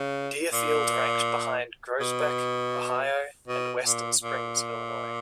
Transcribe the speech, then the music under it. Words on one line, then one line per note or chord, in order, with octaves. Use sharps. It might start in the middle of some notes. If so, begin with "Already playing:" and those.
Deerfield ranked behind Groesbeck, Ohio, and Western Springs, Illinois.
Already playing: C#3
A#2
B2
B2
A#2
A#2